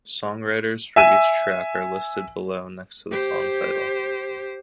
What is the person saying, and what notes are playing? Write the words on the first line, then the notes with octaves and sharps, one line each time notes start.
Songwriters for each track are listed below next to the song title.
E5 G#5 E6 D#7
G4 C5